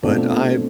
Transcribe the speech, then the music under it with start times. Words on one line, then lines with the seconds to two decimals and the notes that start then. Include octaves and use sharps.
But I
0.03 B2 A3 C4 D4 F4